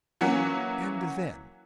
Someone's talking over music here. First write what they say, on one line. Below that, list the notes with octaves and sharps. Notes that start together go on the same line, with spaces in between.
"And then?"
E3 F#3 A#3 C#4 F#4